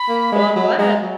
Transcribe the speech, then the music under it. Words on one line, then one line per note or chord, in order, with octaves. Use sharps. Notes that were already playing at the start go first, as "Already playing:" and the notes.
Well, I'm glad.
Already playing: B5
A#3
G#3
F#3
G#3 A#5
F#3